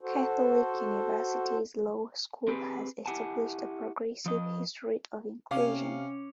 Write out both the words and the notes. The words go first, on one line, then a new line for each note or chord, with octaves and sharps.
Catholic University's law school has established a progressive history of inclusion.
F#4 A4 C5
C4 G4 G#4 B4
E4 G4 F#5 G#5 A5
F3 D#5
C3 C#4 F5 D6